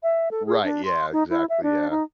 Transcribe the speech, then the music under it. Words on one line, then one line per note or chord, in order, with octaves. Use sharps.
Right, yeah, exactly, yeah.
E5
A4
G#4
D4
C6
D#4
E4
E5
D4
D#4